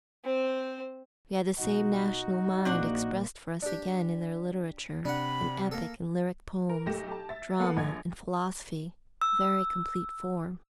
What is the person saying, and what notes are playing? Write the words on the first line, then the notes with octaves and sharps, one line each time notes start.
We have the same national mind expressed for us again in their literature, in epic and lyric poems, drama, and philosophy; a very complete form.
C4 C5
B1 D#4 F#4
A#1 A#3 C4 D4 F#5
D4 G4
C3 D4 F#5 B5
A#3 A4
A#4
B1 A3 G4 A#6 E7
G4 A5
E5 A6
A#3 B3 A4 B4 F#5
A#1 A3 G#6
E6